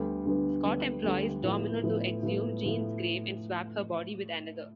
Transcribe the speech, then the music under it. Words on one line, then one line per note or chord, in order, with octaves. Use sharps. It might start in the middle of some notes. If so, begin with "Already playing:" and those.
Scott employs Domino to exhume Jean's grave and swap her body with another.
Already playing: D2 D3 G3 B3
D2 D3 G3 B3
D2 D3 G3 B3
D2 D3 G3 B3
A2 F3 B3
A2 F3 B3
A2 F3 B3
A2 F3 B3